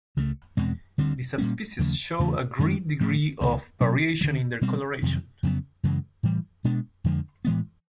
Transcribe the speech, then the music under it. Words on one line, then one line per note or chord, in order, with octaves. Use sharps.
The subspecies show a great degree of variation in their colouration.
C#2 C#3 F#3 A3
E2 B2 G#3 C4
D2 D3 G3 C4
A#2 G3 A#3 C#4
D#2 C#3 F3 A3
E2 C#3 E3 A3
F#2 D#3 G#3 C#4
A2 F3 A3
C#2 C3 D#3
B2 F#3 A#3 C#4
F#3
D2 D3
B2 G3 C4
F2 C3 D#3 F#3
F2 C#3 F#3 B3
F#2 C#3 E3 G#3
A2 E3 G3
B2 G#3 B3 D4
F2 D3 F3 G#3
A2 E3 G#3 B3